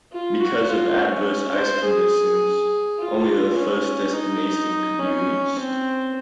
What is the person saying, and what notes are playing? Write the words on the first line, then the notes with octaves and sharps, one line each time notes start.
Because of adverse ice conditions, only the first destination could be reached.
F4
F#4
F4
C#4
C5
G#4
F4
C#4
D#4
C#4
C4